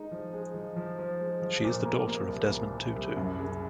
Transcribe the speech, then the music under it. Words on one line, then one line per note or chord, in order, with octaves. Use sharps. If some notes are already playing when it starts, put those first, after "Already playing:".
She is the daughter of Desmond Tutu.
Already playing: G#3 D#4
F3
G#3
F3
F3
F3
G#3
F3
A#2
A#3
A#3
C2
A#3
A#2
C2
F#2
C#3